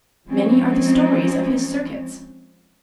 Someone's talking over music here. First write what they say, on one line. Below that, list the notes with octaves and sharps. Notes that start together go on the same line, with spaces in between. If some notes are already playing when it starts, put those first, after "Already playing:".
Many are the stories of his circuits.
F3 G#3 C4 C#4 D#4